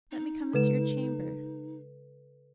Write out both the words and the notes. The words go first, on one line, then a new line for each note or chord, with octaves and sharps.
Let me come into your chamber.
D#4
C#3 G#3 A4 B4 E7